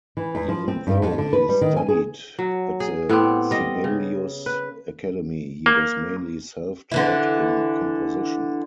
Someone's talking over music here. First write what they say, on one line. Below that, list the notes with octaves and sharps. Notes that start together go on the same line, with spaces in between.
Even though he studied at the Sibelius Academy, he was mainly self-taught in composition.
E3
E2
F3
C4
G2
F2
D3
B4
G3
D#3
G#5
G#4
F#3
G#4
A2 B3 C4 G4
G3 D#5
C#3
B4
A#3
D3 E3 E4